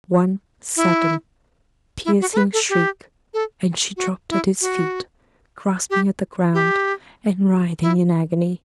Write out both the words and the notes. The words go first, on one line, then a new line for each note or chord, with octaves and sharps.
One sudden, piercing shriek, and she dropped at his feet, grasping at the ground, and writhing in agony.
E4
E4
F#4
A4
B4
A4
G4
A4
F#4
E4
F#4
G4
G4
E4